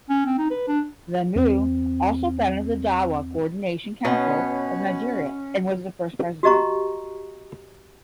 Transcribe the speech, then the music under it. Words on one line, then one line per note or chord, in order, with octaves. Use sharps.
Lemu also founded the Dawah Coordination Council Of Nigeria and was the first President.
C#4
C4
D#4
B4
D4
E2 C4
B2 C#4 B4 C#5 D#5 F#5
F#4 G4 D#5 A#5 C#6